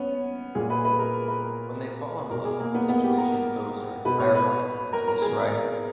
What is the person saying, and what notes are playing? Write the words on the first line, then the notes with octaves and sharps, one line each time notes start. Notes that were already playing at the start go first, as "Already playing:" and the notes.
When they fall in love, the situation throws her entire life into disarray.
Already playing: B3 C#4
A#2 G#4
B4
B4
A#4
B4
B2 A#4
G#4
A#3
B3
B3
G4
A#4
B2 B4
C#5
B4
A#4
A#4
G#4